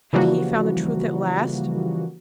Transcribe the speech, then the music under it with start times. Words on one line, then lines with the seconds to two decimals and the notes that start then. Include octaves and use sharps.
Had he found the Truth at last?
0.13 C#3 E3 F3 G3 A#3 F#4